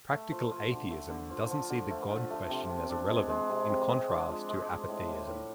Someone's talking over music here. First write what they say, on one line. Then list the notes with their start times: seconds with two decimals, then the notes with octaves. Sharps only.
Practical atheism doesn't see the god question as irrelevant, in contrast to apatheism.
0.12 A3
0.32 F3
0.51 F3
0.71 D3
0.91 A3
1.10 D3
1.30 F3
1.51 F3
1.70 D3
1.91 A3
2.10 F3
2.30 A3
2.50 C3
2.70 C3
2.90 D4
3.09 G#3
3.29 G#3
3.49 C3
3.69 C3
3.88 G#3
4.09 D4
4.28 F3
4.49 G#3
4.69 G#3
4.89 A2
5.08 A2
5.27 A2